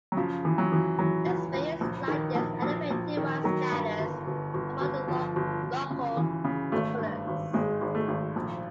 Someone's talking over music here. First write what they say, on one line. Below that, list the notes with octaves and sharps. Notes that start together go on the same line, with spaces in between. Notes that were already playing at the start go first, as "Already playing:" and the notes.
Experience like this elevated Wang's status among the local populace.
F#3
C#3 F3
E3
F#3
E3
E3 F#3
C#2
C#2
A#1
D#3
A#1
A#1
A#1
D#3
D#3 F#3
G2
G1
G1
G1
G1
G1 F3
G1
G1
C#3
E3
C#3
G#1 A3
G2
G#1
G#1 G#3
G#1
A3
G#1
A#1